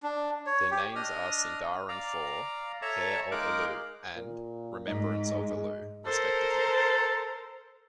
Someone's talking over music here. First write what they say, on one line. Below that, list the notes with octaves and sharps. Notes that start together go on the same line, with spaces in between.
Their names are Sindarin for "Heir of Elu" and "Remembrance of Elu", respectively.
D4
C#5
G4
D4 D#5 D#6 F6
D5 F5 A#5
A4 C#5 E5 A5 A#5
G#3 D#4 A#4 F5 D6 F#6
A#2
G#2 D#4
G#3
A4 A#4 C5